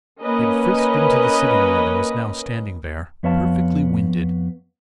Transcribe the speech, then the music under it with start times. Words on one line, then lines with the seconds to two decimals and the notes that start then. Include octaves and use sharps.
He had frisked into the sitting-room, and was now standing there: perfectly winded.
0.23 A#3 C#4 B4 D#5
3.23 F2 B3 C#5 F5 A5